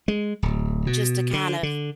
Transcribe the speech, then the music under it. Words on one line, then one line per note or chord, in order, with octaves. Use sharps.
just to kind of
G#3
D1
B2
D3
D3